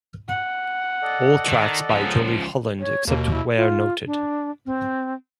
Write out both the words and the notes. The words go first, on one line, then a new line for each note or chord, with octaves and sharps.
All tracks by Jolie Holland except where noted.
F#5
A4 D5 D#5
D#3
C#2 F3 G#4 A4 A#5
C6
C#5
D#2 B2 A#3
E4
F4
D4
C4